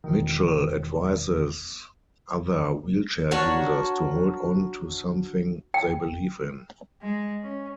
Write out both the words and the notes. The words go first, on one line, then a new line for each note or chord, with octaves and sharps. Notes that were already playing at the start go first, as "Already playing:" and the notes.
Mitchell advises other wheelchair users to hold on to something they believe in.
E1 D#3
D4 F#4 A#4 C#5
G5
G#3
C#4